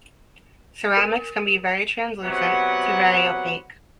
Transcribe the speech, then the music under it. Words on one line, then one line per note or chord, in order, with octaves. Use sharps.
Ceramics can be very translucent to very opaque.
A#4
C3 F#3 B3 F#5